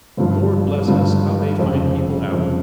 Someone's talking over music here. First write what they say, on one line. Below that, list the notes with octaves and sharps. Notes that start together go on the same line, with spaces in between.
Lord bless us, how they find people out!
G1 G2 F3
G1 G2 F3
F1 F2 C#3
F1 F2 C#3